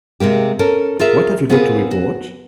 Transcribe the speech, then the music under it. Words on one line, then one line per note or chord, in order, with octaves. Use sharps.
What have you got to report?
C3 G#3 A#3 G4
C#4 A4 A#4
F4 G#4 A#4 E5
B3 C4 F4 G#4 A#4 B4
F#4